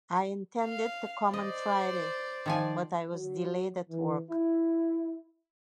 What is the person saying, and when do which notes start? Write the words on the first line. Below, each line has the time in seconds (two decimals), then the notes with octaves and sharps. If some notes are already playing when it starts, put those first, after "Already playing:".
I intended to come on Friday, but I was delayed at work.
0.62 F5
1.34 C5 D5 D#5
2.46 D#3 F3 G#5
3.13 F#3
3.90 E3
4.30 E4